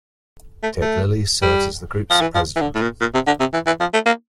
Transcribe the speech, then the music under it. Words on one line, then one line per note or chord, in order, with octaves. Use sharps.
Ted Lillie serves as the group's president.
A3
A3
G3
F3
E3
F3
E3
D3
A2
A#2
A#2
C3
D3
C3
E3
E3
F3
A3
A#3